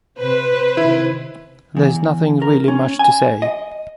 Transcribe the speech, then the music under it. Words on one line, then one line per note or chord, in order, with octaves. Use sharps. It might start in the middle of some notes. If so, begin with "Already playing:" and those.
There's nothing really much to say.
C3 B4 C5
C3 D#3 E4
E2
A#4
C#4
G#5
D#5